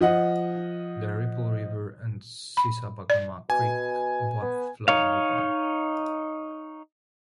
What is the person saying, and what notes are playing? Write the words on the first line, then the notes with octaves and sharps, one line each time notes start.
The Ripple River and Sissabagamah Creek both flow nearby.
F3 D#5 F#5
B5
D5
B2 G#5
B3
D#4 C#5 F5